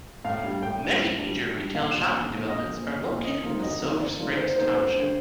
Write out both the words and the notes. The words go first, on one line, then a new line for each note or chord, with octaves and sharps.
Many major retail shopping developments are located in Silver Spring township.
A2 F5
G3 D4
A2 G5
G3 D4
A2
G3 D4
A2
G3 D4
A#1 F5
A#2 F3
A#1
A#2 F3
A#1 D#5
A#2 F3
A#1
A#2 F3
D2 D#5
C3 F3 A#3 D#4
D2 D#5
C3 F3 A#3 D#4
D2 D5
C3 F3 A#3 D#4
D2 C5
C3 F3 A#3 D#4 C5
A1 C5
G2 D3